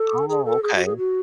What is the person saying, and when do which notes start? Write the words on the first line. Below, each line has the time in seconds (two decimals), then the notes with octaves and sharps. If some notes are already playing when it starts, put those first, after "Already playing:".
Oh, okay.
Already playing: A4
0.28 G#4
0.45 A4
0.63 G#4
0.75 F#4
0.85 G#4
0.97 F#4